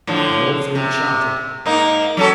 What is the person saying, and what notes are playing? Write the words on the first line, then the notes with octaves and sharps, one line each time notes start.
The lords are enchanted.
A2 D3 F3
C3
G#2 A#3 D#4
F#3 C#4 A4